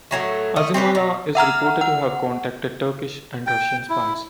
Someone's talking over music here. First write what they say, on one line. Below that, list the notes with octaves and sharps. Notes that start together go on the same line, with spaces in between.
Azimullah is reported to have contacted Turkish and Russian spies.
A2 D3 F#3 A3
A3 D#5
C4 C#4 G4 B4
B2
E5 F#5 A#5 F6
F#5
G5
E4